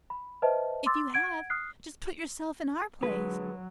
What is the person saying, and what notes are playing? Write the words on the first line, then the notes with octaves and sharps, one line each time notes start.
If you have, just put yourself in our place.
B5
B4 C5 D#5 E5 A5
C6 D6 E6 A6
F#5 G#6 D7
D#6 F6 F#6 C7
D3 F#3 G#3 B4